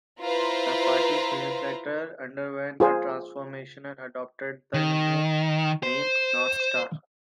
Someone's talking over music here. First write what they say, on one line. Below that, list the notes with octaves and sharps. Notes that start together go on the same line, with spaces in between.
The party's newsletter underwent a transformation and adopted the new name "North Star".
E4 F4 B4 C5 A#5
F4 G#4 C5
D#3
C5